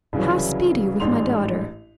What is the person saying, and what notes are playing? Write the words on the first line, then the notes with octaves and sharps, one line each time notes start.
"How speed you with my daughter?"
C2 C#3 E3 F#3
A1 G#2 D4 C6 F7